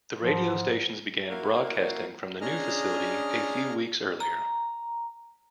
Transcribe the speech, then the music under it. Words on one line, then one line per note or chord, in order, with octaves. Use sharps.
The radio stations began broadcasting from the new facility a few weeks earlier.
G#2 F3
A#3 E4 F#4 A#4 F5
C#4 D4 G#4 D#5 A#5 F6
A#5